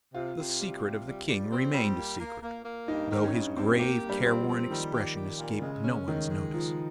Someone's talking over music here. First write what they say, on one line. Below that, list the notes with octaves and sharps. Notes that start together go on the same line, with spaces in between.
The secret of the King remained a secret, though his grave, careworn expression escaped no one's notice.
C3 F4
C3
G3
C3
G3
G3
C4
G3
A#3
A#3
A#3
A#3
G2 D#4
D#3
C#4
G2 D#4
G2 C4
A#3 G4
G2
G3
C4
F3
C4
D#3 G3
G4
G4
A#2
C#3 G#3
C#4
D#3 G#3
G#3
F3 D#4